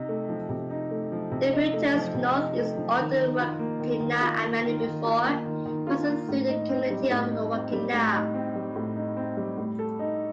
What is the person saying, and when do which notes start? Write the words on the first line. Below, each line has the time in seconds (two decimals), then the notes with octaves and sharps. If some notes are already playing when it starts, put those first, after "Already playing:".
The route turns northeast onto Waukena Avenue before passing through the community of Waukena.
Already playing: C3 D#4
0.09 A3
0.29 F3
0.49 C3
0.70 D#4
0.91 A3
1.12 F3
1.31 C3
1.53 D#4
1.73 A3
1.94 F3
2.14 C3
2.36 D#4
2.56 A3
2.77 F3
2.97 D#3
3.18 D#3
3.39 F4
3.59 A#3
3.80 D#3
4.00 D#3
4.21 F4
4.42 A#3
4.63 D#3
4.84 D#3
5.04 F4
5.24 A#3
5.45 D#3
5.66 D#3
5.87 F4
6.07 A#3
6.28 A2
6.48 D#4
6.69 C4
6.90 G3
7.11 A2
7.31 D#4
7.52 C4
7.73 G3
7.93 A2
8.13 D#4
8.34 C4
8.55 G3
8.76 A2
8.96 D#4
9.17 C4
9.37 G3
9.58 A2
9.79 A4
9.99 D#4